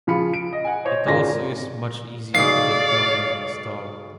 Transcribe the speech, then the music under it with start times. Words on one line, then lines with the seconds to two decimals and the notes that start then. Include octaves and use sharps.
It also is much easier to deploy and install.
0.07 C#3 F3 F4 B5 C#7
0.33 D7
0.52 D#5
0.65 F#5 G#5
0.85 C5 C#5 D#5
1.06 G#1 C#3 F4 D5 C6 A#6
2.35 B1 C#3 D5 F5 C7